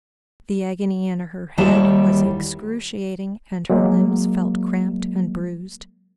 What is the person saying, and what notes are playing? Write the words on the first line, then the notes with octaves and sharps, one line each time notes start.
The agony in her head was excruciating, and her limbs felt cramped and bruised.
D#2 D#3 G3 E4 F#4 A5
F#3 G#3 A#3